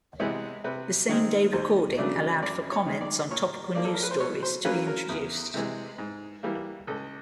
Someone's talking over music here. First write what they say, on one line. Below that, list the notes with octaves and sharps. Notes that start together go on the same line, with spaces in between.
The same-day recording allowed for comments on topical news stories to be introduced.
C3 E3 G#3 B3
C3 B4
D#3 G#3 C4
D#2 C5
C#3 F#3 A3 D4 D5
F#2 D5
C#5
D#3 G#3
D5
A#2 C#5
F3 A#3 D5
A4
A#4
B4
C5
B2 C#5
C5
F#3 A#3 C#4 B4
A#4
E2
C3 E3 G#3
G#2
E3 G3 A#3
C#2 A4